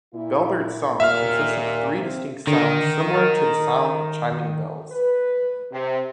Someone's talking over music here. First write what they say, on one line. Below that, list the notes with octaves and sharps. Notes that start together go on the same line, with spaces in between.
Bellbird song consists of three distinct sounds similar to the sound of chiming bells.
A#2 E4
D#2 A#2 E5 F5 F6
C3
D3 D#3
A#4 F6 A6
B4
C3